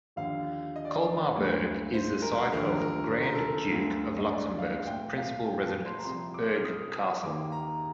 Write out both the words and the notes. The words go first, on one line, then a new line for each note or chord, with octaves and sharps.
Colmar-Berg is the site of the Grand Duke of Luxembourg's principal residence, Berg Castle.
D#2 D3 F3 F5
D#5
D5
D#5
D2 D3 G3 A#3
C5
A#4
D#2 D3 F3 A3 A#4
A#4
C5
A#4
A4
A#4
D2 D3 G3 A#3
D#5
D5
F5
F5
A#2 A3 C4 G5
F5
G5
A5
C6
A#5
C2 C3 F3 C6
D6
F6
D#6
D#6
D#2 D#3 A#3 D6
A#5